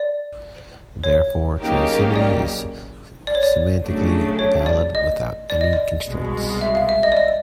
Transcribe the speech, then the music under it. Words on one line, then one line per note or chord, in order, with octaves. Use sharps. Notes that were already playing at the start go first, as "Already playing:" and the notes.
Therefore, transitivity is semantically valid without any constraints.
Already playing: D5
C#5
C#3 F#3 A#3 D#4 G4
D5
D5
C#5
D5
C#3 F#3 A3 D4
C#5
D5
D#5
D5
D#5
D5
C2 B2 G#3
E5
F5
E5
D#5
D5
D#5